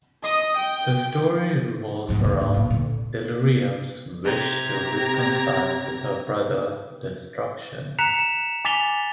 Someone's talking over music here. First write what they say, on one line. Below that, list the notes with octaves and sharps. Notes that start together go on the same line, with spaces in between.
The story revolves around Delirium's wish to reconcile with her brother Destruction.
D#5 D#6
G5
G#2 F3
D#2 D3
G#2
A2 A#3
A#2 D3
C3 G4 A#5 G#6 A#6
A#5 F#6 B6 C#7 E7 F7
E7
G#5 D6 A6 B6 F7 G7